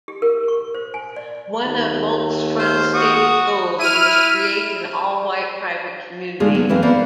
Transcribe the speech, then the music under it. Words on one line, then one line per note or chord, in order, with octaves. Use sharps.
One of Volksfront's stated goals was to create an all-white private community.
G4
A#4
C#6
C5
G#5
D5
D#2
C5 F6
F#4 C#6 D#6
E4 F6 D#7
D3 D#3 G#3 A#3 F4 G#4
F#3 B3 G#4
F2 E3 C4 A#4 F5
A#3 B3 C5 D5